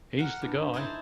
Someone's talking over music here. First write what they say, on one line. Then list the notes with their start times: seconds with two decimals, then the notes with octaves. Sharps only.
He's the guy!
0.19 A#4 F#5
0.42 G2
0.73 D#4 E4 C5 G#5 A5